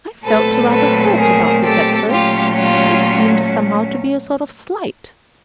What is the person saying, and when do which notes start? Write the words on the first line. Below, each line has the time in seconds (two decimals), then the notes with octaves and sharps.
I felt rather hurt about this at first; it seemed somehow to be a sort of slight.
0.25 A#2 F#3 A3 C4 A4 B4
0.71 A4 B4
1.17 G#4 A#4
1.63 G4 A4
2.09 A#2 F#3 A3 C#4 F4 G4
2.55 F4 G4